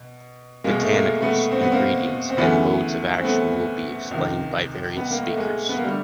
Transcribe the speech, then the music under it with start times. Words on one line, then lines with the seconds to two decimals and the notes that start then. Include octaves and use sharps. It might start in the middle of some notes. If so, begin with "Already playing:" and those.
Botanicals, ingredients and modes of action will be explained by various speakers.
Already playing: B2
0.64 C2 B2 G#3 A#3
0.80 A3
0.93 G#3 A#3
1.22 A3 B3
1.51 C4
1.61 B3
1.72 A#3 C4
2.30 C4
2.37 D2 C#3 E3 A3 B3
3.18 C4
3.24 A3 B3
4.11 C#2 C3 D#3
4.97 B3
5.11 A#3
5.23 A3
5.36 G#3 A#3
5.69 B3
5.77 A#3
5.84 D3 G3 A3